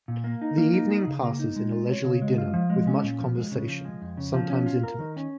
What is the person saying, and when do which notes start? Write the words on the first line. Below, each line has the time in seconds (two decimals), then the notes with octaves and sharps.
The evening passes in a leisurely dinner with much conversation, sometimes intimate.
0.08 A#2
0.24 A#3
0.42 D#4
0.57 A#3
0.73 D#4
0.91 G#4
1.07 C#3
1.22 A#3
1.39 D#4
1.56 G#3
1.72 F4
1.89 C#5
2.05 C#3
2.22 G#3
2.38 F4
2.54 F3
2.70 G#3
2.87 C#4
3.03 A#2
3.20 F3
3.36 G#3
3.52 C#3
3.68 F3
3.85 G#3
4.02 F2
4.17 C#3
4.34 F3
4.50 C#4
4.66 F4
4.83 A#4
4.99 D#3
5.16 C#4